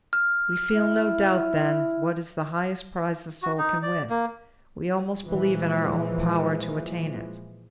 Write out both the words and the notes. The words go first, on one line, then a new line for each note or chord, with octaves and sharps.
We feel no doubt then what is the highest prize the soul can win; we almost believe in our own power to attain it.
F6
E4
F#4
D#4
D5
A#3
A#2 E3 F3 G#3